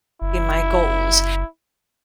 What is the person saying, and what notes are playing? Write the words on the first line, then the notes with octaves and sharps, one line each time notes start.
my goals.
F#1 E4